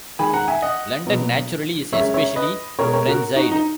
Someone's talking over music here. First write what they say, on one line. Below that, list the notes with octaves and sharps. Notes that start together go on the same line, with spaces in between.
London, naturally, is especially frenzied.
D#2 D#3 G#3 G#5 B5
F#5 A#5
E5 G#5
D#5 F#5
B2 F#3 B3
F#2 C#3 G#3 C#5 E5
C#5 E5
B4 D#5
B2 G#3 B3 A#4 C#5
A#4 C#5
F#4 A#4
D#4 F#4
D#4